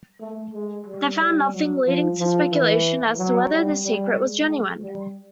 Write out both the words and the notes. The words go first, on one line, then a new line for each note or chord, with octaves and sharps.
They found nothing, leading to speculation as to whether this secret was genuine.
A3
G#3
G3
G3
F#3
F3
F3
E3
F#3
G3
G3
G#3
G3